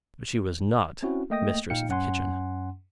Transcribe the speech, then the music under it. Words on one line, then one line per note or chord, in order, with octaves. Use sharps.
But she was not mistress of the kitchen.
C4 C#4 E4 F#4
A3 A#3 D#5 G5 D#6 A#6
G1 A#2 D#4 F5 G5 C#7
F#2 C#4 F#5 G#5 C6